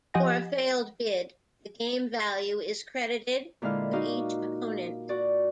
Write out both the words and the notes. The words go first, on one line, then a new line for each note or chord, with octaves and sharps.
For a failed bid, the game value is credited to each opponent.
F3 G4 D#5 F#5 G#5 A#6
A#2 D3 G#3 E4 F5 F6
D#4 F#4 F5 D6 F6
F#4 D5